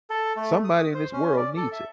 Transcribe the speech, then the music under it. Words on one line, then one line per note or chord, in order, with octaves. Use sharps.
Somebody in this world needs it.
A4
A3
D#6
C5
C#4
D5
A4
E5